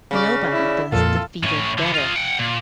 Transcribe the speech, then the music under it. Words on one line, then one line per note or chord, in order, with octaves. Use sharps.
Nobody does defeated better.
C#3 C#4 D5
E4
F2 A#2 F4 A4
A2 C#4
D3 B3
F4 D#5
F#5 G5
A#2